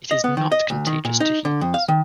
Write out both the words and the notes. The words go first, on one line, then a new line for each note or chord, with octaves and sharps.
It is not contagious to humans.
D#5
B3
D#3
D#5
D2
D#3
A#2
D#4
D3
F2
F5
D#3